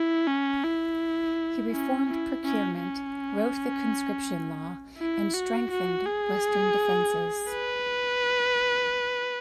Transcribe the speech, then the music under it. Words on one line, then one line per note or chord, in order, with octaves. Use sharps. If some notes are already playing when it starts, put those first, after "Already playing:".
He reformed procurement, wrote the conscription law, and strengthened western defenses.
Already playing: E4
C#4
E4
C#4
E4
C#4
C#4
E4
F#4
F#4
G#4
B4